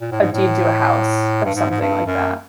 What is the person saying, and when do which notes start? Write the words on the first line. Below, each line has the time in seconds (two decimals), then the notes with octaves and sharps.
a deed to a house, or something like that,
0.01 A#2
0.12 A2
0.21 G#2
0.33 A2
1.45 G2
1.55 G#2
1.71 G#2
1.81 G2
2.06 F#2